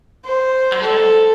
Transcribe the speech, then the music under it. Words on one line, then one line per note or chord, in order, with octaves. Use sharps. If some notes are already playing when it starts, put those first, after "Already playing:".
I don't
C5
A4